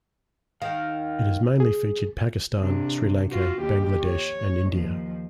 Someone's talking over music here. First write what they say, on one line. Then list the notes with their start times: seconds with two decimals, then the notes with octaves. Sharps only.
It has mainly featured Pakistan, Sri Lanka, Bangladesh, and India.
0.62 D#3 F5
1.60 G#4
2.59 C3 D4
3.30 F4 F#4
3.61 D#2 G4
4.02 C#5
4.67 D#2 F3